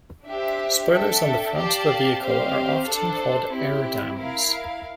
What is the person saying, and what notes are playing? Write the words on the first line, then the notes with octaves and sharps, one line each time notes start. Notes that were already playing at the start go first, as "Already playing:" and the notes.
Spoilers on the front of a vehicle are often called air dams.
D4 G4 C5 E5
D4 A4 E5 G5
G4 D5 F5 A5
C4 G4 C5 F5
D4 A4 C5
C4 E4 G4
E4 A#4 F5